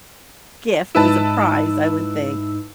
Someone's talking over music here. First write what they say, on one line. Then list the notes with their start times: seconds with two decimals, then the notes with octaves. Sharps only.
gift, is a prize, I would think,
0.95 G#2 D#4 E4 B4 A5 E6